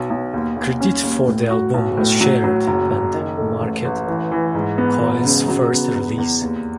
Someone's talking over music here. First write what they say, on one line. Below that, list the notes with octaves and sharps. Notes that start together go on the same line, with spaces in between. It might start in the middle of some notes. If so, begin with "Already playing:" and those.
Credit for the album was shared, and marked Coil's first release.
Already playing: B1
B1
D#2
D#2
C#4
D#2
A2
F#4
B1
A2
F#3
F#3
F#1
F#1
D#3
A3
A1
A1
E3
E3
G#2
B3
E1
C#3
F#3
B3
E2
E2
D#2